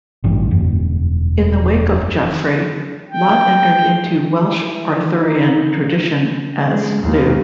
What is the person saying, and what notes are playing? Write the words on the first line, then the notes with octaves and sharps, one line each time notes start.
In the wake of Geoffrey, Lot entered into Welsh Arthurian tradition as "Lleu".
A1 G2 E3
E1 F#2
G5
E3
D#4
G#3
D#2